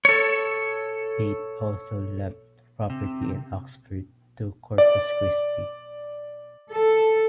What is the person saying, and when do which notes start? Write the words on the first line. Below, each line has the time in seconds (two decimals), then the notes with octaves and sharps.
Pate also left property in Oxford to Corpus Christi.
0.05 A4 C#5
2.90 C3
4.78 D5
6.72 A4